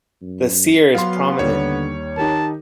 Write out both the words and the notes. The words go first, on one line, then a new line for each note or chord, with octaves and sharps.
The cere is prominent.
F#2
F#3 B3 F5 C6
D#2 D3 G3 C#5
D#3 D#4 G4 A#4 A5